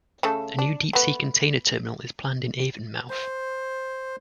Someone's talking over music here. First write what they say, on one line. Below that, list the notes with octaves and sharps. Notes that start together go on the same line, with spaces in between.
A new deepsea container terminal is planned in Avonmouth.
C#3 A3 A4
D4
A3 B3
C5